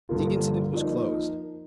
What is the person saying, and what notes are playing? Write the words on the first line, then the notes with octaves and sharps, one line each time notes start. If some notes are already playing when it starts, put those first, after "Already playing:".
The incident was closed.
G2 D3 F3 A#3 F4
F3 A#3 D#4